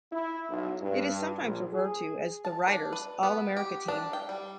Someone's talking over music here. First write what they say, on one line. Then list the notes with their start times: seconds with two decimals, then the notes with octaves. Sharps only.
It is sometimes referred to as the "Writers' All-America Team".
0.11 E4
0.48 B1
0.81 G2
1.40 A#1
1.71 G#4
2.45 A5
2.68 D4
2.93 B4
3.23 B3
3.57 G4
3.88 D4
4.13 G5
4.29 G3